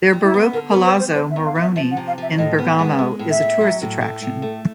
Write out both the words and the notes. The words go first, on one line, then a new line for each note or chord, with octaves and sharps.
Their Baroque Palazzo Moroni in Bergamo is a tourist attraction.
G3
E4
B3
D3 A#4
A#4
B3
C5
G3
C5
E2 C5
E5
E2
F5
F3
E5
F3 E5
F#5
C3
F5
F3 E5
A2 D#5
B3
G#3
G#3
A2
E5
A2
F#3
A2
A3
A2
A3